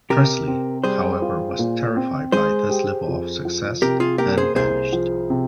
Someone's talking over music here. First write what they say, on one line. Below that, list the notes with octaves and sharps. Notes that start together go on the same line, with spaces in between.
Presley, however, was terrified by this level of success and vanished.
C3 G4 A#4
C4
G3 G#4 C5
F4
A#2
C4
G#3 G#4 C5
G4
F2
F3
C3 G4 A#4
F4 G#4
A#3 G4 A#4
G#4 C5
C2 G#4 C5
F3
C3